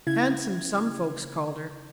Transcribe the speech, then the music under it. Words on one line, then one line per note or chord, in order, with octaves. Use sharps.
Handsome, some folks called her.
C#3 E4 G#6